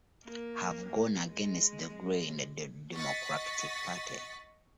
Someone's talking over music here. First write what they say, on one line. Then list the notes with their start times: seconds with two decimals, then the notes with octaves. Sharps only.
I've gone against the grain in the Democratic party.
0.25 A#3
1.27 G#3
2.96 D#5 F#5 C#6 A6 B6